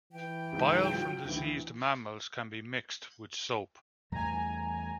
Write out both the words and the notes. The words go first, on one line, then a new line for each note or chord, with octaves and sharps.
Bile from deceased mammals can be mixed with soap.
E3 G5
C#2 G#2
F#3 F4
D2 E3
E2 G3 A3 G#5 A#5